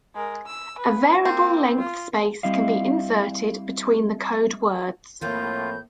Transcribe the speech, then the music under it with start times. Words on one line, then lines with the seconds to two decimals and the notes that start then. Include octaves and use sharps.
A variable length space can be inserted between the code words.
0.15 G#3 A#4
0.46 E6
0.78 B4
1.25 A#3 C4
1.78 F4
2.43 G3 C4 E4 D#5 F5
5.21 A2 F3 A#3 C4 F4 G6